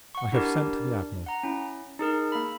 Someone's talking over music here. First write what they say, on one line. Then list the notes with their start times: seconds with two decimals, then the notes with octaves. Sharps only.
I have sent to the Admiral.
0.15 F#5 C#6
0.32 D4 E4 G4 A#4 D5
1.26 F#5 A#5
1.43 C#4 E4
1.99 D#4 G#4 A#4
2.32 A#3 B5